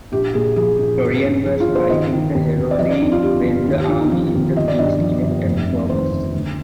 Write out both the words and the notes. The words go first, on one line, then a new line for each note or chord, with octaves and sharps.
Florian was fighting the Heruli when the army in the East elected Probus.
A#1 G4
A#2 G#4
F3 G#4
A#1
G1
G2
F3 G#4
F4
G1
C5
D#3 D#5
D#3
D#2
D#2
D5
F3 D#5
D5
F2 D#4
F4
D3 G4
G1
D#2 F4
G4
D3 F4
D#4
F3 F4
F4
D#2
G1 D#5
D5
G2 D#5
F3
G1
F1
F2
D#3 C5
F1
D2